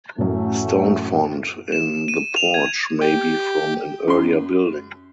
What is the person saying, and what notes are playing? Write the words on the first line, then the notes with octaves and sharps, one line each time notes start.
The stone font in the porch may be from an earlier building.
A1 F#2 F#3 A3 C#4
E7
D#7
F7
G#6
G4
F#2 C6